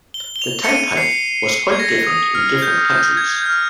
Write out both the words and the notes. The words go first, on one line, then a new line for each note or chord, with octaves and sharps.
The type-height was quite different in different countries.
G7
G7
F7
C#7
D#7
C7
G#6
A#6
D#6
F6
G6
G6
G#6
G6
F6